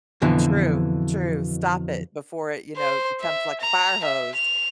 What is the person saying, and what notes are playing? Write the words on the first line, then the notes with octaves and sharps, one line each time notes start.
True, true. Stop it before it, you know, becomes like a fire hose.
F2 B2 D3 E3
C5
E5
A#5
E5
F7